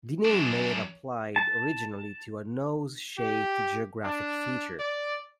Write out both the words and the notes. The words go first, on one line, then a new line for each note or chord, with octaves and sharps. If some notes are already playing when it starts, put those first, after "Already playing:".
The name may have applied originally to a nose-shaped geographic feature.
F#2 D4
A5
G4
D4
D5